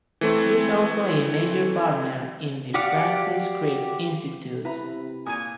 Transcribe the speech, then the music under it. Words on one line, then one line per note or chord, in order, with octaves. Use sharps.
It is also a major partner in the Francis Crick Institute.
E3 A3 C4
F#4 G4 D5 F5 F#5
C3 E4 B4 A#5
A#2 G#5 A#5 D#6